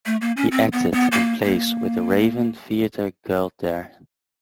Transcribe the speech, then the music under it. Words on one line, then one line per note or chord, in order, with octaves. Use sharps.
He acted in plays with The Raven Theatre Guild there.
A3
A#3
C#4
C4
B3
B3
A#3
A#3